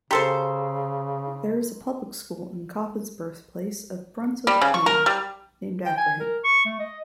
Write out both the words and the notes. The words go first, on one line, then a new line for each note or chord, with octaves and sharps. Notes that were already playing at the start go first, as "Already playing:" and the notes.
There is a public school in Coffin's birthplace of Brunswick, Maine, named after him.
C#3 G4 A4 C5 A#5 C6 E6
G3
C#3
C#6
A#4
G3
G5
G#5
A#4
C#6
A3
D#5